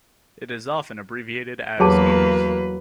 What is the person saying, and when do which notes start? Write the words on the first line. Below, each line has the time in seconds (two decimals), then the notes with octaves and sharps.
It is often abbreviated as Ose.
1.80 E2 F#3 A#3 G4 G#4 B4 A5